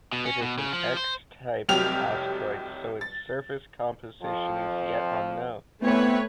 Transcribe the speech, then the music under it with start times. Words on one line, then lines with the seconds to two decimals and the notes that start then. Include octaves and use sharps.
It is an X-type asteroid, so its surface composition is yet unknown.
0.13 B2
0.25 C#4
0.42 B2
0.58 C#3
0.73 F3
0.97 C5
1.69 F1 C2 F#3 G4 F6 F7
3.01 A6
4.22 F2 F3
5.82 E3 A3 B3 C4 E4 B4 C#5